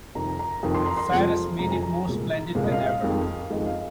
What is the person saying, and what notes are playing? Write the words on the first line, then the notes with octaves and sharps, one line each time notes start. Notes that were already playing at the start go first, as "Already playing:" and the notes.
Cyrus made it more splendid than ever.
F1 F2 D#3 A#5
A#5
F1 F2 D#3
C6
A#5
C6
F1 F2 F3 G#3
F1 F2 F3 G#3 A#5
G#5
A#5
C2 A#2 G#3
C2 A#2 G#3 F5
D#5
F5
F2 D#3 G#3
F2 D#3 G#3 D#5
F5